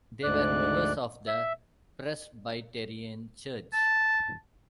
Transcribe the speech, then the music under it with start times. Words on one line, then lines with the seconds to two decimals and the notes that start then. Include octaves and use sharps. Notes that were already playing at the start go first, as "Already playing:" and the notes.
They were members of the Presbyterian Church.
0.23 D2 G#2 D5 F#6
1.27 E5
3.73 A5